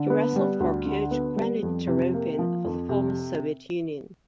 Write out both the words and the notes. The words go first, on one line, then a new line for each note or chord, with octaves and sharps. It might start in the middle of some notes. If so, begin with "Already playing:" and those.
He wrestled for coach Granit Taropin for the former Soviet Union.
Already playing: D3
B3
G3
D2
D3
B3
G3
F2
C3
A#3
F3
F2
C3